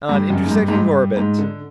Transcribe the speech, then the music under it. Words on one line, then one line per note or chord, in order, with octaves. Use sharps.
On intersecting orbit.
G2
F#2
G#2
G2
G#2
G2
G#2
D3